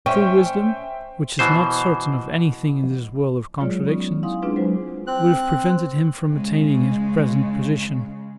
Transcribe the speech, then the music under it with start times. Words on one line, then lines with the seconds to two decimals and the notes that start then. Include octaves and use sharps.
True wisdom, which is not certain of anything in this world of contradictions, would have prevented him from attaining his present position.
0.06 C#4 C5 E5 G5
1.39 B2 E3 C5
3.59 F#3 G#3 F4 G#4 C#5 D5
3.86 B3 C#4 D#4 F4
4.23 E4 F5 F#5 G#5 C6 D#6
4.42 G#3 C4 D4 F4 G#4 B4
4.56 F#3 G#3 B4 C5
5.07 C4 F#6
6.30 C#3 G#3